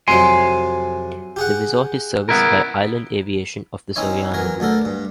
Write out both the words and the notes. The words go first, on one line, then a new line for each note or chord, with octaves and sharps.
The resort is serviced by Island Aviation of the Soriano group.
F2 C3 F#3 G#5 C6
G4 G#4 F#5
B3 E4 A#4
C4 C#4 D#4 E4 C#5
E3 F#3 A#4 C#5
D2 D3 A4 A#4
G2